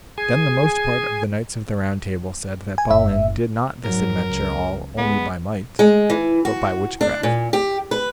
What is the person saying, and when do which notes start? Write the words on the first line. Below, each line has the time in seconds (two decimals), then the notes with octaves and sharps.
Then the most part of the knights of the Round Table said that Balin did not this adventure all only by might, but by witchcraft.
0.18 G#4 G#5
2.78 G#5
2.91 F#1 E5
3.84 G#2 F#3 A#4
4.28 C#2
4.98 G#3 B3
5.79 G#3
6.10 E3
6.45 F#4
7.01 D4
7.23 A#2
7.53 G4
7.91 B4